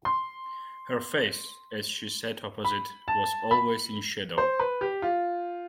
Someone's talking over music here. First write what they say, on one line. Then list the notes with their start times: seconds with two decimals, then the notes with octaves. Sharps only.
Her face, as she sat opposite, was always in shadow.
0.05 C6
2.65 B5
3.08 A5
3.51 B5
4.38 C5
4.60 B4
4.81 G4
5.02 F4